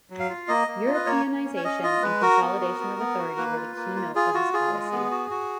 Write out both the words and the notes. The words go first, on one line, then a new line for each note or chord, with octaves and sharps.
Europeanization and consolidation of authority were the keynote of his policy.
F#3
F5
F4
A#3 D#5
A#3
F4
B4
A#3 C#5
A#3
C#4
C#5
C#4 D#5
F4 D#5
G#3 B4
F#4 A#4
B3
F#4
B3
B3
F#4
A#3 B4
F4
A#3
F4
F4 G#4
F4 F#4
F4 G#4
G#3
B3
F#4
F#4